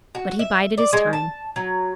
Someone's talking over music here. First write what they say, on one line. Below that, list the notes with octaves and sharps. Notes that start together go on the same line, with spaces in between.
But he bided his time.
F#4
E5
D5
G#3
A5
F#3